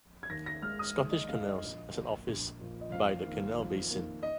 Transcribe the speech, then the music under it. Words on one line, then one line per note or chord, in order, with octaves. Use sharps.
Scottish Canals has an office by the canal basin.
G#6
D#2 A#6
A#6
D#3 G#3 F6
D#6
D#2
D#5
D#3 G#3 F5
D#5
A#1
A#2 F3 A#3
A#1
A#2 F3 A#3
D#5
F2 F5
D#3 A#3
F2
D#3 A#3
D#5